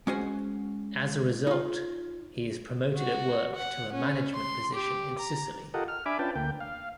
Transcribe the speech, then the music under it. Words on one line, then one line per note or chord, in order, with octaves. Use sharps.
As a result, he is promoted at work to a management position in Sicily.
G#3 C#4 F#4 C5 F#5 G#5
D#4 F4
F#4
F#5
C#4
C6
G4
A#5
F4 G4 A4 A#4 D#5 F#5
F6
D4 E5 G#5 B5 D6
C#4 D4 F4 B4 G5 A5
D2 A#3 G5
F5